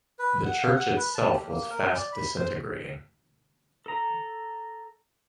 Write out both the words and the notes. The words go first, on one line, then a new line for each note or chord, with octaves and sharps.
The Church itself was fast disintegrating.
B4
F#5
F5
F#5
B4
A5
G4
A#3
A#4
D5
B5
C5
A4 A#5